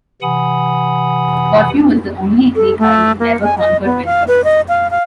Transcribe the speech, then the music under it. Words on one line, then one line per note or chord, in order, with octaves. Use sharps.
Corfu was the only Greek island never conquered by the Turks.
C3 E3 F#5 G#5 B5 D#6
A4
A3
A#3
G#5
D#5
B3
F5
B4
D#5
F5
F5